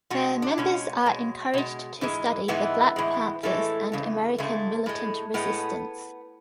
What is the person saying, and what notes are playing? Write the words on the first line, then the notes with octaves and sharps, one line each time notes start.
Their members are encouraged to study the Black Panthers and American Militant Resistance.
B2 G#3 F#4
D4
B2 G#3 C#4
B2 G#3
B2 G#3
G#2 E3 G#3
G#2 E3 G#3 B3
A2 E3 G#3
A2 E3 G#3 A3
E2 C#3 G#3
E2 C#3 G#3 A3
A2 G#3
A2 G#3 B3